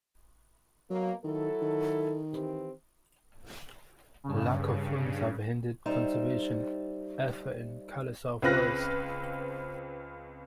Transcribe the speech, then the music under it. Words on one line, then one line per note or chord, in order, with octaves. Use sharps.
Lack of funds have hindered conservation effort in Kalesar forest.
B2 F#3 A#3
D#3 F#3 E4 A4
D#3
E3 C4 G4
G2 C#3
G3 D#4 C5 E5
C#2 C4 F4 B4 F#6 A#6